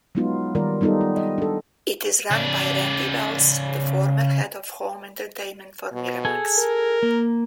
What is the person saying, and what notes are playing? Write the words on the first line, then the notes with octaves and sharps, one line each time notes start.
It is run by Randy Wells, the former head of home entertainment for Miramax.
F#3 G#3 B3 D#4 F4
D#3 G3 F4 A#4 D5
G3 B3 D#4 F4 A4
F4
D#5
D4 A4
C#3 D5
B2
G#4 A4 G#5
A#4
A#3